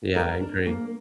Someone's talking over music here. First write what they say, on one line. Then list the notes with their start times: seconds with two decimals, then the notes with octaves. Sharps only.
Yeah, I agree.
0.16 A#4
0.41 D4
0.67 A#3